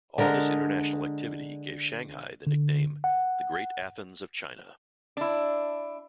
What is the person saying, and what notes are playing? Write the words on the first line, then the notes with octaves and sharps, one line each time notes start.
All this international activity gave Shanghai the nickname "the Great Athens of China".
D3 G#3 A#4 D#5
D3
F#5
D4 E4